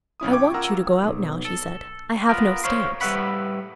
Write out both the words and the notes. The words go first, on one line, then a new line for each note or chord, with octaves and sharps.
"I want you to go out now," she said, "I have no stamps."
B1 C#4 E4 D#6
G5 C#6 D6 G#6
F4 A#4 F#5 A#5 E6
B1
A4
B3 F4 A#4
C5 C#5 F5 C6
A2 G3 B4 E5 F#5 B5